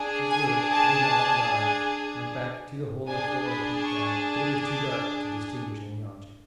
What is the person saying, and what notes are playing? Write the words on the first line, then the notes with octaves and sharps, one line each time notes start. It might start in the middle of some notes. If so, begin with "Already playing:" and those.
First Willis, then John and I, went back to the hole in the floor and peeped down; but it was too dark to distinguish any object.
Already playing: D4 G#4
G#5
A5
D4 G#4 G#5
B5
C#6
D6